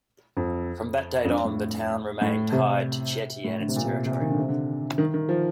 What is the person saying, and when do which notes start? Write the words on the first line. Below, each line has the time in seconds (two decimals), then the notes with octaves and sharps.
From that date on, the town remained tied to Chieti and its territory.
0.37 F2
1.25 F2
1.29 G2
1.45 A2
2.21 A2
2.52 C3
3.44 A2
3.60 D3
3.68 C3
3.76 A#2
3.85 C3
4.06 C3
4.21 D#3
4.30 D3
4.39 C3
4.49 D3
4.98 D#3
5.14 D#3
5.29 F3